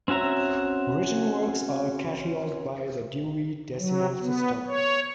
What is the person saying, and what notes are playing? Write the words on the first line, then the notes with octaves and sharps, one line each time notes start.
Written works are catalogued by the Dewey Decimal System.
C4 C#4 F#4 E5 A#5
F#3
B3
C#5